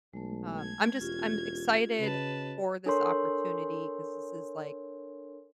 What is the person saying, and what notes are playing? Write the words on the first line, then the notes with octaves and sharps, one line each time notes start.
Um, I'm just I'm excited for this opportunity 'cause this is, like,
B1 G#3 A3
G#6
E1 C#4 F4 G4
C#3 F#4 B4 C#5 D#5 A5
D4 A4 A#4 C#5 C6